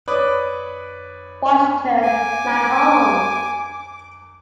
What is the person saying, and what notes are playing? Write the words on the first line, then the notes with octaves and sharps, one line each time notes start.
Washington, my home.
B4 C#5 D5 D6 D#6
G#5 D6